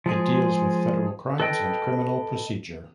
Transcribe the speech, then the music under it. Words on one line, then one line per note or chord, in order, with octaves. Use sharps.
It deals with federal crimes and criminal procedure.
F3 G#3 G#4
A4 B4 D#5 G5